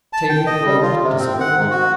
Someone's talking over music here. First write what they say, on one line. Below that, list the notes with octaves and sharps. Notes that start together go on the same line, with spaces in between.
Tavia groaned in disagreement.
A5
G5
D#5
G3
F4
C3
C4
F#5
G#2
F#4